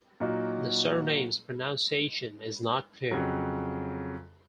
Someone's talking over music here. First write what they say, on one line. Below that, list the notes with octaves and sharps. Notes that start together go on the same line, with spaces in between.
The surname's pronunciation is not clear.
A#2 F#3 A#3 D#4 F#4
F2 C#3 F#3